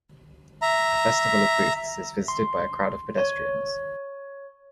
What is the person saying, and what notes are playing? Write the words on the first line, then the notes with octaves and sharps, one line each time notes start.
A festival of booths is visited by a crowd of pedestrians.
E5 A#5
C6
C#5